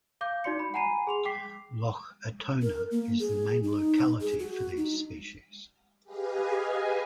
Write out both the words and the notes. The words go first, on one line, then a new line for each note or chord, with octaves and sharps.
Lough Atona is the main locality for these species.
F5 D6 G6
D#4 F#4 D5 C6 C#7
B5
F#5 G#5 A#5 B5 C7 D#7
G#4 C6 F7
G5 D6 B6 C7
A#4
A#3
G#4
D#4
G#4
F#4
D#4
G4 G#4 B4 D#5 F5 G#5